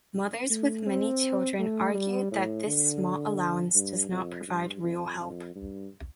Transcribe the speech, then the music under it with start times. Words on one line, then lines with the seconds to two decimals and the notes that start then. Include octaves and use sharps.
Mothers with many children argued that this small allowance does not provide real help.
0.50 A3
0.87 C4
1.59 A3
1.94 G3
2.31 A2
2.66 D3
3.75 G2
4.11 F2
4.47 G2
4.83 F2
5.19 F2
5.55 G2